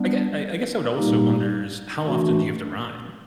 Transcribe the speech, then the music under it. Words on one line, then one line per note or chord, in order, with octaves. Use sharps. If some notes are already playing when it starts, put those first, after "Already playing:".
I ge I I guess I would also wonders, how often do you have to rhyme?
Already playing: G3 B3 D4
A#2 G3 A#3 D#4 G4
E3 A3 D4 F#4